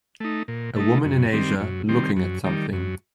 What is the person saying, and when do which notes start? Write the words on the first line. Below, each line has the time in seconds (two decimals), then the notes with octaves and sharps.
A woman in Asia looking at something.
0.20 A3 D#4
0.48 A#2
0.76 A3 D#4
1.04 F#2
1.33 D#3 G3 C4
1.60 F#2
1.89 D#3 G3 C4
2.16 F#2
2.44 D#3 G3
2.73 F#2